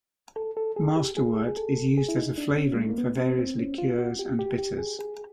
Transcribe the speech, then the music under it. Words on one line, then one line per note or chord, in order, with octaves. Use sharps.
Masterwort is used as a flavouring for various liqueurs and bitters.
A4
A4
G#4
G4
G#4
G#4
A4
G#4
E4
D#4
D4
C#4
G#3
A3
A#3
B3
C4
C4
C#4
F4
F#4
G4
G4
G4
G#4
G#4